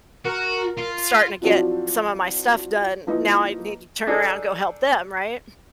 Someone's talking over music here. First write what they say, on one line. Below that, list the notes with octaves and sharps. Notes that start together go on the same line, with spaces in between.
starting to get some of my stuff done, now I need to turn around go help them, right?
F#4 A#4
F4
F3 F#3 C4 D4 E4 F#4
F3 A#3 D#4 E4 B4 D#5
D4 D#4 G#4 A4 C5